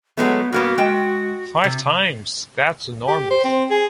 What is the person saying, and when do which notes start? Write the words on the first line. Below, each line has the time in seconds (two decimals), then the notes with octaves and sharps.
Five times? That’s enormous!
0.17 F#3 G#3 A3 B3
0.52 G2 A#3 B3 F#4
0.78 G#3 G5
1.64 C3
3.08 G4
3.30 C5
3.44 C4
3.71 G#4